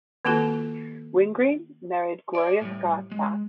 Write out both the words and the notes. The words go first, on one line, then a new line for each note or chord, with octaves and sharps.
Wingreen married Gloria Scott Backe.
D#3 A#3 C4 F4 F#4 A4
D5 G#5
A2 G3
G#3